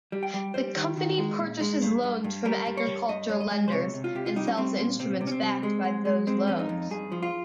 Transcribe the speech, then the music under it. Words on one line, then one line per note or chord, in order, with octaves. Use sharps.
The company purchases loans from agricultural lenders, and sells instruments backed by those loans.
G3
G5
G3
G3 C5
D#3
D#3
G#3
A#2
G#3
G2
G2
G2
G3 A#4
G2
C#5
G2
G2 D#5
G2 C#5
D#5
G#3
C5
C3 C#5
C3
F4
C3 G4
F4
G3 D#4
C#4
G3 C4
A#2 C4
C3 C4
C3
C#4
C4
G3
G#3
G#3
G#3
G#3 C4
F2 C#4
D#4
F2
G2 G#4
F3
F4